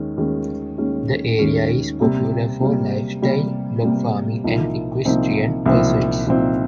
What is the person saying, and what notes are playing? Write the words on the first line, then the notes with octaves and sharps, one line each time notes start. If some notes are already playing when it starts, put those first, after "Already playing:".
The area is popular for lifestyle block farming and equestrian pursuits.
Already playing: D#2 D#3 G#3 C#4
D#2 D#3 G#3 C#4
D#2 D#3 G#3 C#4
D#2 D#3 G#3 C#4
C3 G3 A#3
C3 G3 A#3
C3 G3 A#3
C3 G3 A#3
C2 A#2 F3 C4 D#4
C2 A#2 F3 C4 D#4
C2 A#2 F3 C4 D#4
C2 A#2 F3 C4 D#4